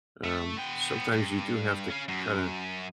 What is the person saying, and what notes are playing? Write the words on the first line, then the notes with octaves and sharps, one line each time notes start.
um, sometimes you do have to kinda
A3
B3 G5
G2
C#4 F5
F#2